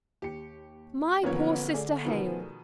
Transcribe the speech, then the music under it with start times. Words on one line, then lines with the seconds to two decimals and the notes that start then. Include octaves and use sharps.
My poor sister Hale!
0.22 D#2 G4 C#7
1.24 A1 A#2 D3 F3 A#3 B3 C#4 C#5
1.73 A3 G#4 D5
2.05 B2 D#3 F3 B3